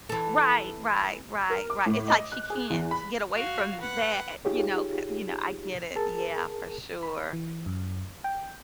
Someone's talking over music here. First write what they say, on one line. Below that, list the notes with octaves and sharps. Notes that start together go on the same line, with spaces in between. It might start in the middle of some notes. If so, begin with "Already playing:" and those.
Right, right, right, right, it's like she can't get away from that, you know, 'ca you know, I get it, yeah, for sure.
E3 A4
A#4
D6
A2
D#5
F#6
G#4
E2
B5
F#4 F5
B4 F#5
D#4 F4 G4 G#4 C#5
G#4 A#4 A5
B5
E3
F#2
G5